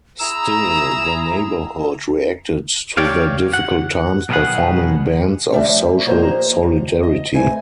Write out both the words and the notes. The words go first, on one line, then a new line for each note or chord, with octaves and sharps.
Still, the neighbourhood reacted to the difficult times by forming bands of social solidarity.
E4 G#4 A#5 E6
G4 C#5 D5 F5
F#5
B1 B2 D#3 B3 G#4 F#5
G3 A3 D4 D5 E5
F3
F3 A#3 G4 C5 D#5 A#5
F3
D#5
D2 G2 A3 C4 G#5